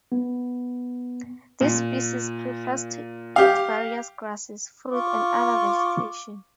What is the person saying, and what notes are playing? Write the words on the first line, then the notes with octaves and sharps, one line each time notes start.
This species prefers to eat various grasses, fruit, and other vegetation.
B3
A#2
G4 F5
F4 C#6 D6